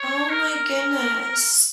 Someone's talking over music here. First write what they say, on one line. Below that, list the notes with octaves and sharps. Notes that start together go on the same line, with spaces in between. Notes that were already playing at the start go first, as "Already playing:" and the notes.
Oh my goodness.
Already playing: C#5
A#4